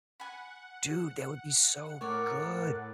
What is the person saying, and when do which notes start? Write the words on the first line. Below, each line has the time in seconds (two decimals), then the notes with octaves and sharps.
Dude, that would be so good.
0.20 F#5 G#5 B5
2.01 A2 A#4 C#5 D5 F#5